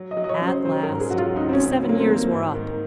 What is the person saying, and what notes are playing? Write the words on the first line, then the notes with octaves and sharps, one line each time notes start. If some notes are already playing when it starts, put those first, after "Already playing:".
At last the seven years were up.
Already playing: F#3
D#5
F#3
D#5
C#5
C#3
C5
F#3 C5
A#4
G#2
G#4
F#3 F#4
F4
C#2 D#4
C4
C#4
C#2
C4
F#3
A#3
C4
D#3 A#3
G#2
D#3